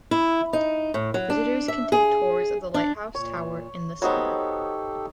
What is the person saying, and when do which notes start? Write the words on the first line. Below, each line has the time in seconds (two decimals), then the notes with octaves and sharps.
Visitors can take tours of the lighthouse tower in the summer.
0.11 E4
0.53 D#4
0.94 A2
1.14 F#3
1.30 D4
1.68 E5
1.92 G#4
2.74 D4
3.15 A#2 C#5
4.02 F#3 B3 D#4 G4 A4 C5 C#5